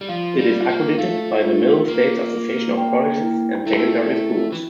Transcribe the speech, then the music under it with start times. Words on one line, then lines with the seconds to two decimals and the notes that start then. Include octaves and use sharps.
It is accredited by the Middle States Association of Colleges and Secondary Schools.
0.01 G3
0.08 F3 F5
0.39 G3
0.53 F4
0.69 A#3
0.98 A3 F5
1.43 F4
1.87 A#3 A#4
2.33 A#4
2.77 G5
3.22 E4
3.66 A3 E4
4.11 E4
4.52 E3